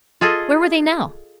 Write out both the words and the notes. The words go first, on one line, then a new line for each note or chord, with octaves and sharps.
Where were they now?
F4 G#4 A4 D#5